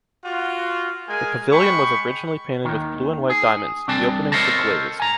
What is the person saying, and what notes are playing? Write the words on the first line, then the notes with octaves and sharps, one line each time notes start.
The pavilion was originally painted with blue and white diamonds, the openings were glazed.
F4 F#4
G#3 G#4 A#4 G#5
G#3 G5 B5 C#6
D#2 D#3
G#4
C2 C4 D4 A5
A4 A#4 C5 C#5 D#5 A5
G#5 A#5